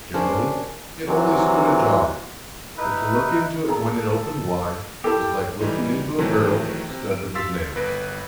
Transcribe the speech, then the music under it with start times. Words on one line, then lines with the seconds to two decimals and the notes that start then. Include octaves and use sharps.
Generally, it only stood ajar; but to look into it when it opened wide was like looking into a barrel studded with nails.
0.14 A#3 C#4 D4 G#4 C5
1.07 C3 E3 F#3
2.77 D#4 E4 B4
3.68 G#4 A4 A#5
5.04 E4 G4 A4
5.60 E3 G3 D#4
6.18 C3 D#3 E3 F#3 A3
6.89 C3
7.11 D7
7.35 F5 C6 E6 A6 B6
7.75 G1 B4 A#6 D7